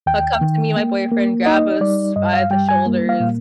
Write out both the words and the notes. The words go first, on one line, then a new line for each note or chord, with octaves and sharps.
he'll come to me and my boyfriend, grab us by the shoulders,
D#2 G5
D#3
A#3
A#3
D#4 D#5
G3 D5
G2 D#5
F5
G3 G5
G#5
A#3
F5
A#2